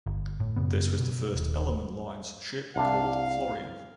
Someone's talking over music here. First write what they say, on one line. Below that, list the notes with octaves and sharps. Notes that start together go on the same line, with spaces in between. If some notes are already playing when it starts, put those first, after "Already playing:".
This was the first Ellerman Lines ship called "Florian".
G1
A2
F#2 C#3 B3
B2
D#1
C2 D4 F5